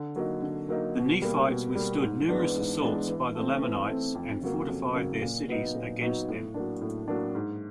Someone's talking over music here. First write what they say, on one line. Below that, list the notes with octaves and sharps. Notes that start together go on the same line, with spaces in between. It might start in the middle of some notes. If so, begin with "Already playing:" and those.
The Nephites withstood numerous assaults by the Lamanites, and fortified their cities against them.
Already playing: D3
F#3 A#3 D#4
D3
F#3 A#3 D#4
B2
G3 A#3
B2
G3 A#3
G#2
E3 G#3 B3 D4
G#2
E3 G#3 B3 D4
E3
A3 C4
E3
A3 C4
F2
C#3 F#3 A#3
F2
C#3 F#3 A#3
A#2
F#3 B3 D#4
A#2
F#3 B3 D#4
A2
F#3 A#3 D4
A2
F#3 A#3 D4
G#2